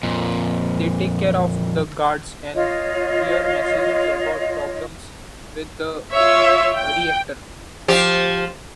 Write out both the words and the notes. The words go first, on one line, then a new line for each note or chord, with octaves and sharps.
They take care of the guards, and hear messages about problems with the reactor.
F2 A#2
F4 C#5 D#5
F4 C#5 E5
G5
F3 G4